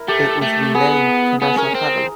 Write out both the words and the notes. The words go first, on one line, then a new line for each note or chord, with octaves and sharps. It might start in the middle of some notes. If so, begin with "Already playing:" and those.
It was renamed Canajoharie.
Already playing: E4 A#4
A3 G4
A3
B3 G#4
B3 G#4
C#4 A#4
C4